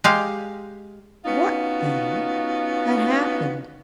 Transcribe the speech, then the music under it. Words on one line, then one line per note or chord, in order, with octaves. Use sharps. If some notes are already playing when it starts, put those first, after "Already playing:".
What then had happened?
G#3 G4 F5
B3 C#4 D#4 F4 F#4